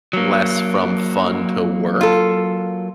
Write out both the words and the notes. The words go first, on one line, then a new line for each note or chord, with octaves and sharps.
less from fun to work,
F#3 A#3
F4 A4